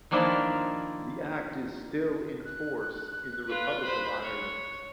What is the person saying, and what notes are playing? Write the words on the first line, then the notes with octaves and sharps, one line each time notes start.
The act is still in force in the Republic of Ireland.
D#3 F3 A#3 D4 E4 F4
F#6
F4 B4
C5 B5
C#5